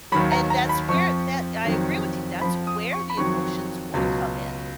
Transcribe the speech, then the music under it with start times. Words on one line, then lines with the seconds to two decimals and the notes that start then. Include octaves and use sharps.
And that's where that I agree with you, that's where the emotions would come in
0.12 D#2 D#3 F#3 B5
0.32 A#5
0.50 A#5
0.69 B5
0.88 F2 F3 C#6
1.65 F2 D#3 F#3
2.41 F3 B5
2.45 F2
2.67 D#6
2.92 C#6
3.10 B5
3.17 F2 D#3 F#3 C#6
3.94 C#2 B2 F#3